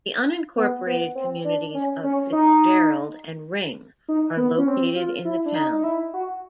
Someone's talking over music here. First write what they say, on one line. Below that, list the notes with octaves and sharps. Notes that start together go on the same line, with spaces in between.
The unincorporated communities of Fitzgerald and Ring are located in the town.
B3
B3
C4
D4
C#4
C#4
D#4
D#4
B3
C#4
C4
F4
E4
D4
D#4
D#4
E4
F#4